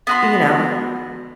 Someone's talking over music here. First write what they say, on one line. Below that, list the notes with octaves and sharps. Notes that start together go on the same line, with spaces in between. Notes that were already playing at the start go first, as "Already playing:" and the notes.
you know
B3 F#4 C6